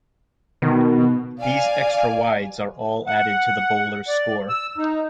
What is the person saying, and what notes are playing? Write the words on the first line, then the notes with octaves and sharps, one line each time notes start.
These extra wides are all added to the bowler's score.
B2 D#3
D5 F5 G#5
F#5
D5
E6
D#4